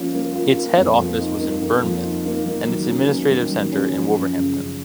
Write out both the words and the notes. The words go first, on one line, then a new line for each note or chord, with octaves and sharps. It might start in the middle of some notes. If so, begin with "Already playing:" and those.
Its head office was in Bournemouth and its administration centre in Wolverhampton.
Already playing: F3 A#3 C#4 F4
A#3
F4
A#3
F2
F3
D#4
A#3
F2
F3
D#4
A#3
D#3
F#3
C#4
A#3
D#3
F#3
C#4
F3
F#2
C#3
F#2